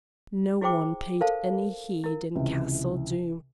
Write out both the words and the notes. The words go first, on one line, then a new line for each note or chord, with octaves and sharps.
No one paid any heed in Castle Doom.
E4 F#4 G#4 C5 G5 D6
A4 A#4 C5 F5 A5
E4 A#4
C#2 C3 E3